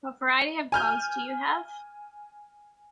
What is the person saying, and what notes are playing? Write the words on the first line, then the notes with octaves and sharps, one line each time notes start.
What variety of gloves do you have?
G#5 F6 G6